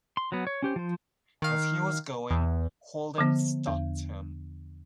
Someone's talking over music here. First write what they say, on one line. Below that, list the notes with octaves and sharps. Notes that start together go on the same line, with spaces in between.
As he was going, Holden stopped him.
C6
F#3 B3
C#5
C#4 G4 C5
F3 C5
D#3 F5
E2
D3 F3 B3
E2